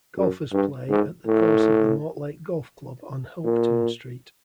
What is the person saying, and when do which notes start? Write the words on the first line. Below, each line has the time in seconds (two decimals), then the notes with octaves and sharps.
Golfers play at the course of the Mortlake Golf Club on Hopetoun Street.
0.17 F#2
0.53 G2
0.89 G#2
1.27 A2
3.45 A#2